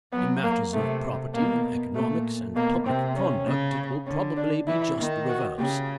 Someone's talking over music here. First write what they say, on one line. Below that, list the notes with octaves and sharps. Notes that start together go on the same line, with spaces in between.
In matters of property, economics and public conduct it will probably be just the reverse.
F#3 B3
A#3
C3 A3
B2 A#3
A#2 A3
B2 A#3
C3 C4
C#4
C#3
D3 C#4
D4
E3 E4
D#3
F#4
C#3 G4